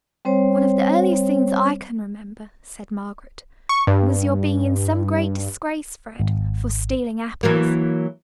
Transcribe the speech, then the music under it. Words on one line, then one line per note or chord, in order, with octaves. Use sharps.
'One of the earliest things I can remember,' said Margaret, 'was your being in some great disgrace, Fred, for stealing apples.
G3 C4 C5 C#5
C#6
G2
G#1
E3 F#3 A#3